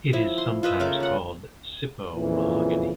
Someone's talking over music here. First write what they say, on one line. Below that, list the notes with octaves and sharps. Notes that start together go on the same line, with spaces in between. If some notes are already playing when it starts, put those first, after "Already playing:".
It is sometimes called sipo mahogany.
F3 E4
C6
F4 B4 D#5 E5
C#3 A3 A#3 D6
F4 F#5
F2 A#2 C#3 E3